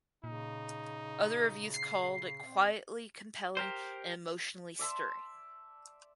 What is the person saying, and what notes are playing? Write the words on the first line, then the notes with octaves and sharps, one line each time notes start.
Other reviews called it "quietly compelling" and "emotionally stirring".
A#2 C#3 D#4
C7
C4
G4 A#4 C5
D5 E5 A5 C6